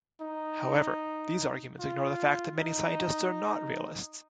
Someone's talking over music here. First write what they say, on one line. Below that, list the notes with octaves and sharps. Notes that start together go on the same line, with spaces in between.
However, these arguments ignore the fact that many scientists are not realists.
D#4
F4
D#4